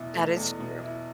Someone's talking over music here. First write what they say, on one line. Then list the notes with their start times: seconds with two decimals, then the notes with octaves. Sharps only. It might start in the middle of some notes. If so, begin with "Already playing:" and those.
That is true.
Already playing: E2 B2 E4
0.13 A3
0.37 E2
0.59 B2
0.83 E4